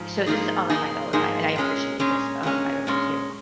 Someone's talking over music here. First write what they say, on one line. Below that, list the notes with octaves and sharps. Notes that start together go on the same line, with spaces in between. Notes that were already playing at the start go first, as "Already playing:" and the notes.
so this is on my mind all the time, and I appreciate this, oh, by the way, too.
Already playing: G#2 F3
G#2 F3 A#3 D#4 G#4
G#2 F3 A#3 D#4 G#4
G#2 F3 A#3 D#4 G#4
A#2 G#3 C#4
A#2 G#3 C#4
A#2 G#3 C#4
A#2 G#3 C#4